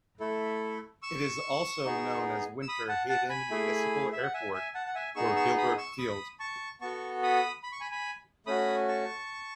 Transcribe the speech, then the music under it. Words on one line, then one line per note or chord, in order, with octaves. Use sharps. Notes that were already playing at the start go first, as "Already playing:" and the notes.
It is also known as Winter Haven Municipal Airport or Gilbert Field.
A3 E4 A4
C#6 E6
B3 D#4 G#4
E6
B5 D#6
F#5 A5
F#5 A5
G#5 B5
A3 E4 G#4
E5
F#5
E5 G#5
E5 G#5
F#5 A5
F#5
E5 G#5
B3 D#4 G#4 C#6 E6
C#6 E6
B5 D#6
C#6 E6
E6
B5 D#6
A5 C#6
B3 F#4 A4 A5 C#6
B5 D#6
B5
C#6
G#5 B5
G#5 B5
A3 C#4 F#4 B5 D#6
A5 C#6